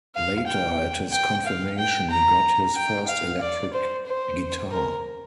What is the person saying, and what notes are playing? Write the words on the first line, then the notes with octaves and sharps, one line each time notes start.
Later, at his confirmation, he got his first electric guitar.
F5
G5
G5
F5
G5
A#5
G5
F5
D5
C5
C5
A#4